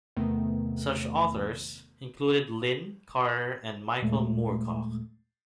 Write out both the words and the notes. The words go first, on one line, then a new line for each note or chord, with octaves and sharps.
Such authors included Lin Carter and Michael Moorcock.
E2 C3 D#3 A3 B3
D#2 A#2 G#3 A3